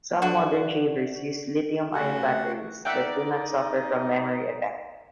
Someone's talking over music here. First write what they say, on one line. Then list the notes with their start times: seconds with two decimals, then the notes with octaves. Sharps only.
Some modern shavers use Lithium-ion batteries that do not suffer from memory effect.
0.22 D3 F#4
1.95 C#3 A3 F#4 G4 F5 F#5 G#5
2.85 D#4 A#4 D5 E5 F#5 G5